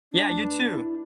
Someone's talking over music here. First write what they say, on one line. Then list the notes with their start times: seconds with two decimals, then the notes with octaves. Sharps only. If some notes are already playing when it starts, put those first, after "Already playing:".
Yeah, you too.
0.12 D4
0.30 E2 A3 A5
0.44 B4
0.73 E4